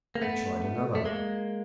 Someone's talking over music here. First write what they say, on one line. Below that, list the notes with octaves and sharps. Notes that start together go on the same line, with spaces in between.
He tried another.
A#3
A3 B3
A3
G#3 A#3